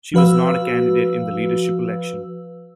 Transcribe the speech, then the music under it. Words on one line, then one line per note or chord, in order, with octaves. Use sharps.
She was not a candidate in the leadership election.
F3 F#4 B4 F5 E6